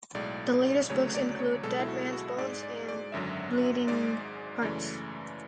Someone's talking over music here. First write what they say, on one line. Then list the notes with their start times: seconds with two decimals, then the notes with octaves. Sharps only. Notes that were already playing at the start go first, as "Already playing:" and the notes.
The latest books include "Dead Man's Bones" and "Bleeding Hearts".
0.15 B1 A2 G#3 D5
0.89 D2 C#3 F#3 A3 C#5
1.15 D5
1.39 C#5
1.63 B1 B2 G#3 A4
1.79 E4
1.88 F#4
2.13 F#4
2.38 G#2 G#3 D5
2.63 D5
2.88 D5
3.12 G#1 F#2 D3 F#3 E5
3.87 G#1 G#2 G#3 D5
4.62 F#2 C#3 E3 A3 D5